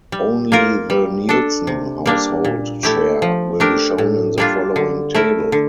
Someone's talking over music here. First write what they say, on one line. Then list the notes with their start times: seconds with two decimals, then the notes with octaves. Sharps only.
Only the Nielsen household share will be shown in the following table.
0.12 G3
0.52 A#3 F4 A#4
0.90 G3
1.29 D4 A4
1.67 C3
2.06 G3 A#3 D4
2.45 A#2
2.83 A3 E4 G4
3.22 F3
3.60 A3 D4 G4 A#4
3.98 A2
4.38 G3 A#3 D4 F4
4.76 D3
5.14 A3 E4 A#4
5.52 D3